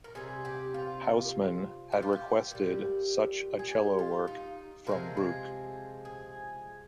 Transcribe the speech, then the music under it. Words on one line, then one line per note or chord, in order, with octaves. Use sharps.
Hausmann had requested such a cello work from Bruch.
A#4
C3 G3 G#4
G4
F4
G4
F4
G4
A#2 G3
G#4
G4
F4
D#4
C3 F3 G#3 A#4
G#4
G#4